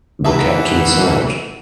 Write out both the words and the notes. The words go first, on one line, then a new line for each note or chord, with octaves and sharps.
The Captain said.
E3 D#4 E5 F#5 A5 A#5